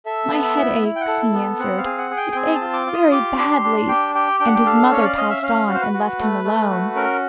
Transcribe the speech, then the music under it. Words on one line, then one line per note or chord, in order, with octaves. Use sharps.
'My head aches,' he answered; 'it aches very badly.' And his mother passed on, and left him alone.
A4 E5
B3
E5
E4
E4
G5
F#5
A4
B3
C4 F#5
F5
G#4
F#5
G#4
G5
G5
C4 G#5
A5
F4
D6
F4
D#6
G4 D6
D4
C6
D4
G4 G5
G4 G5
D4 G5
F#5
G5
A4 F5
C#4 C#5
D5
C#4 D#5
E5
C#4 F5
F#4
C5
B4
F#4
A3
A3
F#4
C#4 A#4